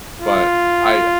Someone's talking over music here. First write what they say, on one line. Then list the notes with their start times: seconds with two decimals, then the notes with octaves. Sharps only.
But I
0.22 F4